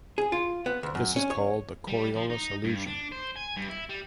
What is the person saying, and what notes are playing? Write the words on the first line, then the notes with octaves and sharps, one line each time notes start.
This is called the Coriolis illusion.
G#4
F4
B3
D2
F#2
C#4
C#5
G3
F3
D#4
G2
D4
C5
G#5
G2
E4
G3